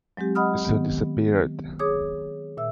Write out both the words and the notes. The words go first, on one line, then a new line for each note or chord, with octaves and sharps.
It soon disappeared.
F#3 G#3 C4 G4
D#5 F#5 B5 D#6 F6
D#3 B3
G#4 C#5 D6 D#6
A#2 E5 E6